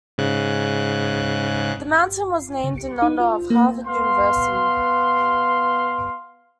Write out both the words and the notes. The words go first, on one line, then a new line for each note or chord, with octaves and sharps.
The mountain was named in honor of Harvard University.
G#2 C#3 F#6
C#3
C#7
D#4
F4
A#3
B3 F5 C6